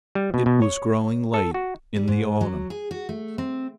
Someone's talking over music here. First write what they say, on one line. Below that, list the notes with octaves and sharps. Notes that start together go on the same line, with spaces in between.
It was growing late in the autumn.
G3
B2
B2
C#5
A4
F#4
G3
G#2
F#3
G#4
F#4
A3
C4